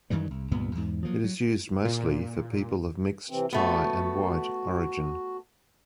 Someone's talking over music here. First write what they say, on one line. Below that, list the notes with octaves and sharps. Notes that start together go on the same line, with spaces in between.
It is used mostly for people of mixed Thai and white origin.
F#2 D#3 E3 G3
C2
C#2 G2 A#2 B3
E2 G#2
F3 F#3 A#3
F#3
A#2
C3 E3 C4
A3 B3 F#4